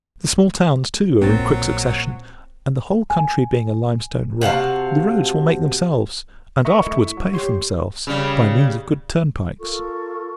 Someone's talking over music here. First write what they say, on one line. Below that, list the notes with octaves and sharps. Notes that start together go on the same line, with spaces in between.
The small towns, too, are in quick succession; and, the whole country being a limestone rock, the roads will make themselves, and afterwards pay themselves, by means of good turnpikes.
A#1 A#2 F#3 C4 A#4 A6
G#5
C3 F#4 F5 A5
A#4 B4 D#5 E5 C#6
A3 E4
F#3
G4 C#5 C6
C#3 G3
F4 A4 A#4 C#6